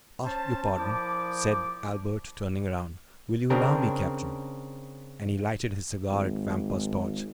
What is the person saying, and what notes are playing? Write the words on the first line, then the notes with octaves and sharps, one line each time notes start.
"Ah, your pardon," said Albert, turning round; "will you allow me, captain?" And he lighted his cigar at Vampa's torch.
C#4 C5 A5
A#2 F3 E4 D6
C#3 C4 D4 A#4
G#1